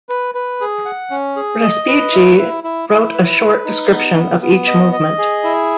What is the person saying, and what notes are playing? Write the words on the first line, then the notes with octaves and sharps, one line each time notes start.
Respighi wrote a short description of each movement.
B4
B4
G#4
F#5
C#4
G#4
D#5
B4
E4
E4
E4
E4
B4
B4
D#4
B3
B3
B3
D#5
D#5
G#4
E4